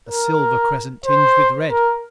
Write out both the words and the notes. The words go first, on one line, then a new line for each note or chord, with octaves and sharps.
A silver crescent, tinged with red.
A#4
C5
A#4